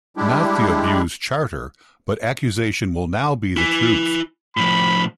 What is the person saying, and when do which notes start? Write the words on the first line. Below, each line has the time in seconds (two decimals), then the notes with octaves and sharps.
Not the abused "Charter", but accusation will now be the truth.
0.17 G3 G#3 D4 E4 G4
3.57 E4 G#5
4.57 A2 F3 B5